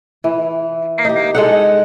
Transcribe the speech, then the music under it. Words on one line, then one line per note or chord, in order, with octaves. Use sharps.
And then
E3
D#4 G4
G#3 A4 F#5